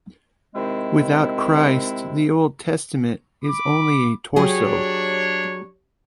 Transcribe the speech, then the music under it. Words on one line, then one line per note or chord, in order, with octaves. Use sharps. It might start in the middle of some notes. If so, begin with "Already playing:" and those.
Without Christ the Old Testament is only a torso.
C3 D#3 G#3 C4 E4
B5 D6
F#3 D4 G4 G#4 C#5